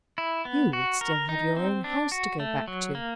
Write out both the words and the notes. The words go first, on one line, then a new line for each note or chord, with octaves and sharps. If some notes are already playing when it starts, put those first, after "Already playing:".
"You would still have your own house to go back to."
E4
B3
F#4
A#4
D#4
C4
D4
F#4
A3
F#3
A#3